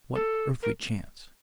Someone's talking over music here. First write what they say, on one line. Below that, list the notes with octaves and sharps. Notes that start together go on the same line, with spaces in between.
What earthly chance?
A4
A#4